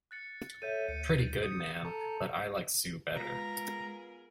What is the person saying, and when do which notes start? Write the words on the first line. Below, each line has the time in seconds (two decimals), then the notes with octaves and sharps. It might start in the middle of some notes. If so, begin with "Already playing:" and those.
Pretty good, ma'am; but I like Sue better.
0.11 F#6 A6 C#7
0.62 A4 C#5 E5 G6 D#7
0.89 D2 C#7
1.43 D#6 C#7
1.85 A4 A5 A#5
3.15 G#3 B3 F4 G#4 A#4 B4 A#5 B6